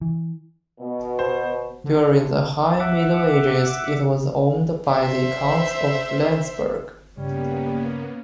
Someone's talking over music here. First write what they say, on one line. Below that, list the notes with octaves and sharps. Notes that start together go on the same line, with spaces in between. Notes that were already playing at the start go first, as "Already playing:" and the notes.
During the High Middle Ages it was owned by the Counts of Lenzburg.
E3
B2
C5
D3
E5 F#5 D6
C5 E5
G2 C#3 G3 A#3 B3 C#4